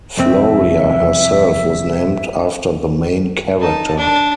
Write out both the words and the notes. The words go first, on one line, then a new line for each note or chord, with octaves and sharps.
Floria herself was named after the main character.
C2 F2 C4 E5
D#4 A5
D4